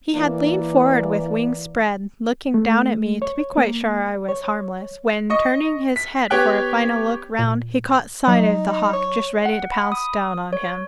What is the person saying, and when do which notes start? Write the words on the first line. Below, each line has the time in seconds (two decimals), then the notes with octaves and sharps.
He had leaned forward with wings spread, looking down at me to be quite sure I was harmless, when, turning his head for a final look round, he caught sight of the hawk just ready to pounce down on him.
0.15 E3 A#3 D5
2.54 A3
3.22 C#5
3.57 A#3
4.29 C#5
5.30 D#5 C#6
5.96 B6
6.30 B3 G4 C#5 G5 F#6
7.39 A#2
8.28 F#3 D#4
8.93 C#5
9.45 F#5
9.72 B5
9.92 D#6
10.53 C#5